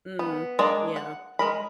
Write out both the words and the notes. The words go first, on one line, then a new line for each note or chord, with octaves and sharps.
Mm. Yeah.
B3
G#3 A#3 D4 D5
F#5
G#3 A#4 B5